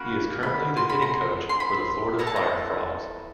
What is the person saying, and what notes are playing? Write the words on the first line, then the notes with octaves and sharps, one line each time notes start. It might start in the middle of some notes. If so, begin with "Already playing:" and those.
He is currently the hitting coach for the Florida Fire Frogs.
Already playing: A#3 C#4 F#4 B5
B5
C6
B5
A#5
C6
B5
B3 E4 A4 A#5
A5
A#5